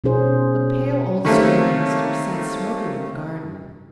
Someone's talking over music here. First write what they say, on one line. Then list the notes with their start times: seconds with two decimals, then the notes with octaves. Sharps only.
The pale old schoolmaster sat smoking in the garden.
0.04 B2 C#4 D#4 G#4 C5
1.25 D#3 G3 A3 A#3 C4 C#4